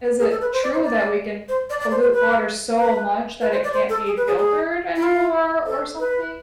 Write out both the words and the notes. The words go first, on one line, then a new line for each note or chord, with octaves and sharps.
is it true that we can pollute water so much that it can't be filtered anymore or something?
G#4
A4
B4
C5
D5
C5
D5
C5
D5
D5
C5
C5
B4
B4
B4
C5
D5
C5
A4
G#4
B4
G#4
G#4
E4
F4
A4
B4